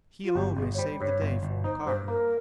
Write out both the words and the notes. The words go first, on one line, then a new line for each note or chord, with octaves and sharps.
He alone may save the day for Okar.
F4
G1 G4
G1 G#4
C#5
G3 C5
G2 C#5
G1
G1
D#4 C5
G2 C5
A#3 A#4